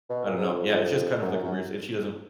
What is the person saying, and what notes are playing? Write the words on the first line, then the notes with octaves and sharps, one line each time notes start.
I don't know, yeah, it's just kind of like a weird s and she doesn't
B2
A#2
G#2
F2
F#2
F#2
F#2